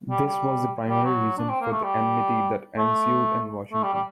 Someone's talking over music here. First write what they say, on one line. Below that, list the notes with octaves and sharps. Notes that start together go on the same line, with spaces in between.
This was the primary reason for the enmity that ensued in Washington.
G3
G3
G3
F#3
D4
C4
A#3
A3
G3
A3
A3
G3
G3